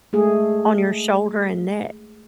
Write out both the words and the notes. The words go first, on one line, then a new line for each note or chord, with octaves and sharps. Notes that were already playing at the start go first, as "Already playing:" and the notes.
on your shoulder and neck,
G#3 A3 G#4